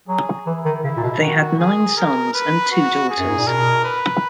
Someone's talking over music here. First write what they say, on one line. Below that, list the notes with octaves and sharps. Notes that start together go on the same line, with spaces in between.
They had nine sons and two daughters.
F#3 G#4
E3 E4
D#3
C#3 E4
A#2
B2
D#3 F#4
G#4
A#4
B4
F#4
G#4
F#2
G#2
A#2
B2 A#4
B4